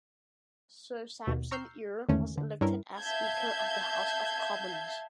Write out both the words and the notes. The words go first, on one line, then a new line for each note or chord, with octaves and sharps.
Sir Sampson Eure was elected as Speaker of the House of Commons.
D#2 B2
A#5 C#6 E6 F6 G6 C7
E2 G#2 D3 D#3 A3 C#4
D3
G2 C#4 E4 A#4
E5 F5 A5 G6 G#6